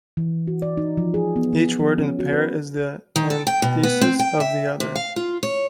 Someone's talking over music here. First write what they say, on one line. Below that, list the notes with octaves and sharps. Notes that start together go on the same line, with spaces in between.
Each word in the pair is the antithesis of the other.
E3
F#4
D5
D#4
F3
G#4
B3
B3
F3
C#4
F#4
B4
D#3
A4
G5
B2
B3
C4
G5
E5
C3
F5
F4
C#5